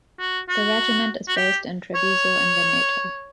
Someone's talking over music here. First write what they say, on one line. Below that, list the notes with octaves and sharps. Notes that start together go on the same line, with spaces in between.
The regiment is based in Treviso in Veneto.
F#4
F#4
F#4
G4
C#5